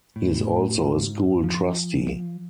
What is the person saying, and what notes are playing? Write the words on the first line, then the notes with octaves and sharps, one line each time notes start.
He is also a school trustee.
A2
G#2
F3